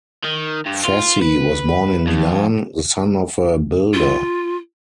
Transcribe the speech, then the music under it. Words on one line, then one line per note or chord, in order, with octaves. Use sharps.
Fassi was born in Milan, the son of a builder.
D#3
G2
F4
B4
F2
F4